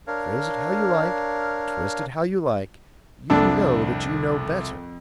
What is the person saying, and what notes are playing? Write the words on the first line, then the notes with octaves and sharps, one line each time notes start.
Phrase it how you like, twist it how you like, you know that you know better.
D4 A#4 C#5 F5
C2 F2 D4 A4